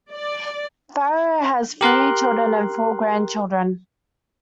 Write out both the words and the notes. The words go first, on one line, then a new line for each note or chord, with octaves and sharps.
Farrow has three children and four grandchildren.
D5
G4 A#4 C6 F#6